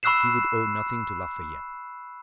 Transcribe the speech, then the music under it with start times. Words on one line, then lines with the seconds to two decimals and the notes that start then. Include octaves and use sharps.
He would owe nothing to Lafayette.
0.03 B5 C#6 E6 F#6 C7 E7